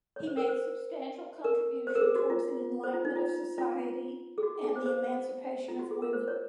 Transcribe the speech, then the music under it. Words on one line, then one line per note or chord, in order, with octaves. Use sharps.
He made substantial contribution towards the enlightenment of society and the emancipation of women.
C#5
C5
A#4
C5
A#4
C5
A#4
G#4
F#4
F4
C5
F4
D#4
F4
F4
G#4
F#4
G#4
C5
C5
F4
F#4
G#4
A#4
C5
C#5